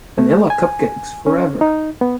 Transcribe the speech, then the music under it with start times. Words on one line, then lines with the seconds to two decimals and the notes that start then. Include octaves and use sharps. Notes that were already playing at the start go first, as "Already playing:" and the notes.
Vanilla cupcakes forever.
0.18 A3
0.50 G#5
1.26 C#4
1.61 D#4
2.01 B3